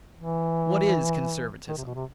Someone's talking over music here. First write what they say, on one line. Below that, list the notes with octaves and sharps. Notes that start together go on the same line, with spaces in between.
What is conservatism?
E3
D#3
C3
B2
C3